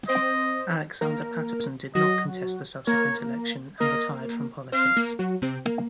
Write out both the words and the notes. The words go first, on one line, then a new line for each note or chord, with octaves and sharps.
Alexander Paterson did not contest the subsequent election, and retired from politics.
C4 C5 D#5
A#3 A#4
F#3 F#4 D#5
A#3 A#4 C#5
A#3 A#4 D#5
C4 C5 F5
A#3 A#4
F#3 F#4
C3 C4
A#3